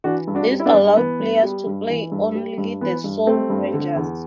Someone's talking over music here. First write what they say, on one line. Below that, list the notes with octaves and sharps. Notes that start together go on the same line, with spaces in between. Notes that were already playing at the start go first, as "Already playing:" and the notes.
This allowed players to play only as The Soul Rangers.
E3 D4 F#4
G2
D4 F#4
G3
E4
B3 D4
G2
E3 B3
G2
G3
G2
E3
G2
G3
G2
E3 B3
G2
G3 A3 C4
G2
D3
E2